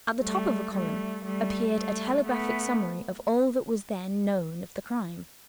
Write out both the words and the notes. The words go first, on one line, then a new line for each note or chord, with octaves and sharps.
At the top of a column appeared a telegraphic summary of all that was then known of the crime.
G3 A3
G3 A3
G3 A3
G3 A3
A3 B3